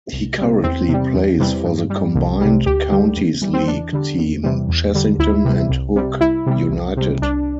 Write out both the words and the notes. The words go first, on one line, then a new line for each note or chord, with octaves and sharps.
He currently plays for the Combined Counties League team Chessington and Hook United.
C2
C3 G3
E2 C4
C3 G3
E2
C3 E3 G3
G2
G3
C2
C3 G3
D2 G4
D3 G3
E2
E3 G3
C4
E2 D4
D3 G3
E2
C3 E3 G3
E2
D3 G3
D2 E4
C3 G3
C2
C3 G3
C2 E4
C3 G3
C2
C3 G3
C2 D4